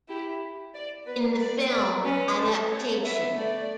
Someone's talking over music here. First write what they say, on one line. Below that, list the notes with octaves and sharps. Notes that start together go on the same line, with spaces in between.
In the film Adaptation.
E4 G4
D5
B3 B4
D5
D5
C#4 B4
A3 A4
A3 C#5
B3 E5
A3 D5